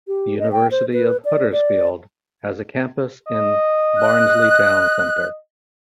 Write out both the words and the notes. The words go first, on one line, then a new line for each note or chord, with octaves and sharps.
The University of Huddersfield has a campus in Barnsley town centre.
G4
D#5
G5
C5
B4
D5
D5
D#5
F#6